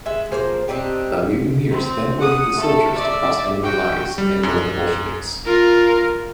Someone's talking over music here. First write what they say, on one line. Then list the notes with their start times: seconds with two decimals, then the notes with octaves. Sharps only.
The mutineers then ordered the soldiers to cross enemy lines and join the Bolsheviks.
0.06 G#3 E5
0.32 F3 A#3 G#4 C5
0.68 C4 D4 D#4 G4
1.71 C4
2.19 F#5 D#6
2.56 A3 A4
2.98 D5 E5
3.63 F#4 G5
4.18 G3
4.43 F#2
5.46 F4 A#4